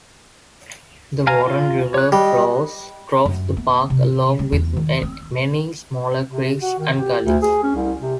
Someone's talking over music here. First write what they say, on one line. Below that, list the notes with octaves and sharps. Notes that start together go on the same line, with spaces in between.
The Warren River flows through the park along with many smaller creeks and gullies.
F5 G#5 A#5
F4
C#5 F#6
G3 D#5
F#2
B3
C3
G3
E2
D#3
C4
C3
F#4
D#3
G4
D2
G#4
C#4
C2
C3